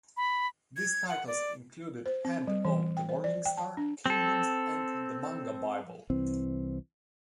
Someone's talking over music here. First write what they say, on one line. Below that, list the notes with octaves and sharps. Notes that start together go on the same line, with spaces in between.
These titles included "Hand of the Morningstar", "Kingdoms", and "The Manga Bible".
B5
G#6
F#5
D5
C5
C4
G3
E3
G5
C5
D5
G5
A5
D4
C4 A4
C2 E3 C4